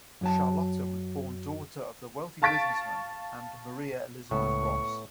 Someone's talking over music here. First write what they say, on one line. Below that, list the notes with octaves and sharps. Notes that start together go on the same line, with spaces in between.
Charlotta was born daughter of the wealthy businessman and Maria Elisabeth Ross.
F#2 F#3 A5
F5 A5 C#6 A6 B6 D7
C#2 A2 B3 C#6